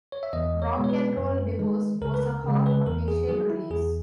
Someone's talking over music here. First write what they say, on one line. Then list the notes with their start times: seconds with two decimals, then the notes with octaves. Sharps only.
"Rock and Roll Divorce" was a half-official release.
0.12 C#5
0.23 E5
0.33 E2 D#5
0.62 C#5
0.76 B2 G#3 B3
0.84 C#5
0.89 B4
1.17 F#2
1.59 D#3 G#3
2.01 C#2 A#4
2.14 B4
2.23 A#4
2.44 C#3 G#3
2.66 B4
2.86 E2 A#4
3.08 G#4
3.28 D#3 F#3 G#4
3.50 E4
3.71 E2 G#4